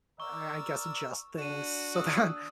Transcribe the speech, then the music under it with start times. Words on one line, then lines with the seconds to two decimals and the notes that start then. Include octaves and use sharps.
I I guess adjust things so that
0.20 A#4 D5 C#6 E6
1.38 D4 F#4 D#7 E7
1.96 D#6 E6 F#6